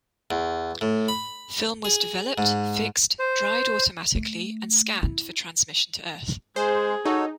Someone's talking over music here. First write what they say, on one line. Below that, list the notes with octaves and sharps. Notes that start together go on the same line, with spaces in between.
Film was developed, fixed, dried automatically, and scanned for transmission to Earth.
E2
A2
B5
G#4
G#2
C5
A3
E4
G#3 G#4 C5
D#4 F#4 A4 C#5